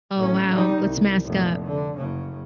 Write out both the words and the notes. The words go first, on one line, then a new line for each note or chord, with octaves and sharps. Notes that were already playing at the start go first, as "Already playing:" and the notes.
Oh, wow. Let's mask up.
A1 C#4
G3 D#4
C2
F1 A#2
D3
F#1 C#3